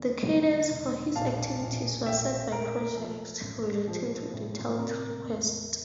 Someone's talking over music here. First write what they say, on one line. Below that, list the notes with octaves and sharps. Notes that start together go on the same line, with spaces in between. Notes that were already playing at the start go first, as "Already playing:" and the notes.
The cadence for his activities was set by projects relating to detailed requests.
Already playing: E2 D3
D3
E1
A#1 F5 A5
A#1
A#1 E5 G5
A#1 A#4
F3 A4
A1
F3
A2
C3 A#4
E2